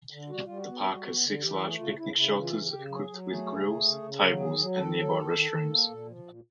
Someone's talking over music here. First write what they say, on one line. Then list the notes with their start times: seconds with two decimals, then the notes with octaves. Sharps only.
The park has six large picnic shelters equipped with grills, tables and nearby restrooms.
0.11 D3
0.29 G3 F#4
0.44 G3 F4
0.57 F#4
0.67 B3
0.86 G3
1.05 B3
1.23 D3
1.41 E3 G4
1.60 A3 G#4
1.79 C#3 F4
1.98 C#3 E4
2.16 C#3 E4
2.35 E3
2.41 F4
2.54 C#3
2.66 G4
2.72 C#3
2.90 F#3 G#4
3.09 F#3
3.28 A3 G#4
3.46 C#3
3.65 A3
3.84 C#3
4.02 C#3
4.22 F#3
4.40 D#3 G#4
4.58 F#3
4.76 D#3 A4
4.96 F#3
5.14 D#3
5.33 D#3
5.51 D#3
5.70 A#3
5.89 A#2
6.07 F3
6.26 A#2